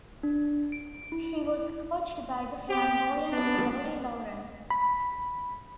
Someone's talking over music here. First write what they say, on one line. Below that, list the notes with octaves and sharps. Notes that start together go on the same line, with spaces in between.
He was coached by the flamboyant Laurie Lawrence.
D4
D7
E4
C4 G4
B3 C#4 D4
B5